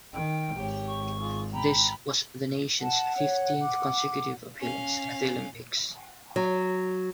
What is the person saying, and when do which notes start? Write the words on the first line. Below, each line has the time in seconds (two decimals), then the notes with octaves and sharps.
This was the nation's fifteenth consecutive appearance at the Olympics.
0.13 D#3 G5
0.56 G#1 G4 C#5
0.88 C#6
1.20 F4 G#4
1.53 G5 A#5 B5
2.82 F#5 A5
3.17 C#5
3.62 D6
4.60 C#4 F5
6.36 F#3